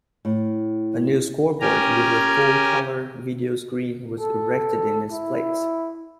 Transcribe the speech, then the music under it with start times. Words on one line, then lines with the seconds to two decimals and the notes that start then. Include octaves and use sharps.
A new scoreboard with a full-color video screen was erected in its place.
0.25 A2
1.60 C#4 G4 A#4 G#5 A#5
4.20 A4
5.12 E4